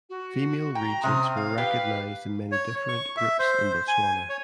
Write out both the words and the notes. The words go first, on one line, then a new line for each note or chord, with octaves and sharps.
Female regents were recognised in many different groups in Botswana.
F#4
G5 A#5
C3 C4 C#4 D#6
F5
G4 B4 F5
C#5
C#6
E5
C5
G#5
C#5